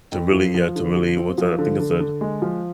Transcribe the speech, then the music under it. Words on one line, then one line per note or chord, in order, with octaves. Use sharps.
To really, uh, to really, what's that, I think it said
F2
F3
F3
D3
F3
C4
F3
D3
D3
D3
G#3
F3